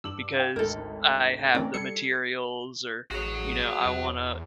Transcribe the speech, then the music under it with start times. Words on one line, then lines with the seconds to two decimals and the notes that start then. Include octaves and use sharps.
because I have the materials or, you know, I wanna
0.04 G2 D6 E6 F#7
0.36 F5 G5
0.56 G#1 D2 A4 A#4
1.55 E3 A3 C4 C#4 A#4 D5 A#5
1.74 G3 A4 G#6 C7 C#7
3.11 A1 F#4 G#4 C#5
3.86 E2